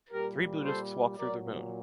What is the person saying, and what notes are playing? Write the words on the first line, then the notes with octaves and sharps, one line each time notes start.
Three Buddhists walk through the moon.
A#2 G3 G4 A#4
A4 C5
A#2 F#3 A#4 D5